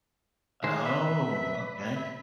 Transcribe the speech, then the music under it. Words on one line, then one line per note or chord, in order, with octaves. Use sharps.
Oh, okay.
D#3 G#3 C5
B4 E5
E5